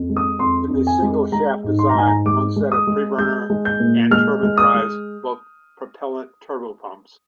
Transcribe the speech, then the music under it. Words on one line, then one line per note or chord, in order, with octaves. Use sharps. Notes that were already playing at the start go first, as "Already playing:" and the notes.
In the single-shaft design, one set of preburner and turbine drives both propellant turbopumps.
Already playing: F2
G#3
D#6
F2 C6
F2
G#5
G#3
G#3 A#5
G#2
C6
A#5
G#2 G#5
A#5
G#3 D6
G#3
D#6
G#3
G#3 G6
G#3
G6
A#2
G#3 F6
G#3
D#6
G#3